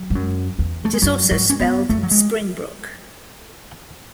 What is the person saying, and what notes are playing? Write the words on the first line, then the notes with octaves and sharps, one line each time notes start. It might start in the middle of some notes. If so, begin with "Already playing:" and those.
It is also spelled Spring Brook.
Already playing: F#3
G#2
F#2
E2
A3
G#3
F#2 F#3
G#2 F#3
C#4
F#2 B3
F#2 A3
F#3
G#3